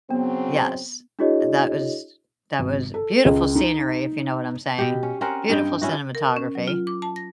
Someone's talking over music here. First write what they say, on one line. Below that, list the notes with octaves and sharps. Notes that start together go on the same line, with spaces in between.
Yes, that was that was beautiful scenery, if you know what I'm saying, beautiful cinematography.
C#3 F#3 B3 C4
D4 E4 F#4 G#4 C#5 D#5
G#1
A4
C#2
D#4
B2 G4
C#4
C4 C#4 A#4 F#5
G2 D#5 G5
C#4 E4 F#4
A#4
C#4
F#3
F4
D6
A5
A#6